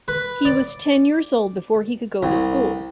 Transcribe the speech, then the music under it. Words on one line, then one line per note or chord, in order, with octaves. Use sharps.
He was ten years old before he could go to school.
B4
D5
C2